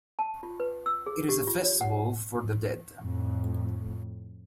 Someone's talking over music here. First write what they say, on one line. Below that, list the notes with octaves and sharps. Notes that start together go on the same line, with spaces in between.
It is a festival for the dead.
A5
F4
B4
E6
G#4
G4
F4
C#5
F#5
F2 A2